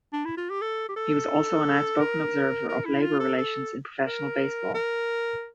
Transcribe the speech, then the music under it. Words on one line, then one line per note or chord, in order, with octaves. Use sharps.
He was also an outspoken observer of labor relations in professional baseball.
D4
E4
F4
G4
A4
G4
A4
A#4
A#4
E4
F4
A4
A4
A#4
A#4